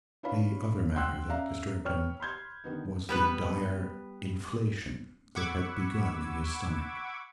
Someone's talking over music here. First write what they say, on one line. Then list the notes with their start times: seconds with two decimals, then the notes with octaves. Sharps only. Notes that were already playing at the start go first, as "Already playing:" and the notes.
The other matter that disturbed him was the dire inflation that had begun in his stomach.
0.23 D4 E4 B4 C#5 F5 B5
0.95 F#5 G5 C6 E6 F#6
1.28 C#4 D5 E5 F5 A#5
1.85 B4 C#5 G5 C#6 F6
2.20 B5 C6 G6 G#6
2.64 D3 D#3 B3 D#4
3.09 G3 B3 B4
5.36 F#5 B5 C#6 D6 E6 G#6